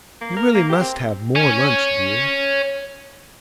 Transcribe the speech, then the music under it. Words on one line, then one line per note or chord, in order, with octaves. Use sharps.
'You really must have more lunch, dear.
A#3
A#4
A#3
G4
C4
C#5 G#5